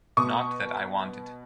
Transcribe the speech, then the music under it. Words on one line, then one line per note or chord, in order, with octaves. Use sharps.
Not that I want it.
B2 C#6 D#6